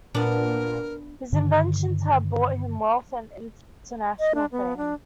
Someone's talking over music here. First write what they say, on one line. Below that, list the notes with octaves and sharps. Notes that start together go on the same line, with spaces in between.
His inventions had brought him wealth and international fame.
A#2 B3 D4 A#4
G2 D3 D#3
D#5
D4
B3
D4